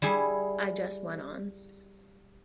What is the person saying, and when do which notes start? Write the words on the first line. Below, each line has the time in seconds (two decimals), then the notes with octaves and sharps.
I just went on.
0.02 G3 E4 G#4